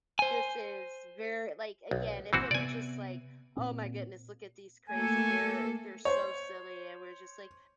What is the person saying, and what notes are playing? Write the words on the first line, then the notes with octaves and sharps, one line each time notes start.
this is ver like, again, if it were just like, "Oh, my goodness, look at these crazy they're they're so silly." And we're just like
C5 G#5
B1
G1 A#2 E3 C4 F#4
C3 B3 D5 G#5
A#2 C4
A3 A#3 A4 G#5
C5 C#5